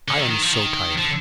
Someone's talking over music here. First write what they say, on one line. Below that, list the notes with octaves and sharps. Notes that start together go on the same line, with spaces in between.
I am so tired.
D3
D#3
D#3
F3
D#3
F3
D3